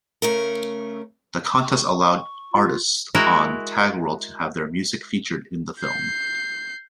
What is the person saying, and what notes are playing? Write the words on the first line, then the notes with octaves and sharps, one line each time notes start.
The contest allowed artists on TagWorld to have their music featured in the film.
C#3 A3 A#4
C#6
F4
G#3 E4 F#4 A#4
G6 C7